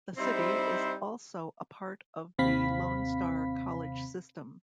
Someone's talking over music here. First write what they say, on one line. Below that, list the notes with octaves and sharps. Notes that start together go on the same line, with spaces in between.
The city is also a part of the Lone Star College System.
G3 C4 D#4 E4 C5
D#2 C3 C4 F5 B5 B6